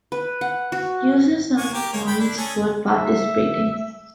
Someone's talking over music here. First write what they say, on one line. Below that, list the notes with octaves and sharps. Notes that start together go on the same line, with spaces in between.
Users earn points for participating.
B4
F#5
F#4
A#3 G#5 C#6
G4 A#4
A#3 C#5
G5 B5
D4 E4
C#4 G#4 A4
E5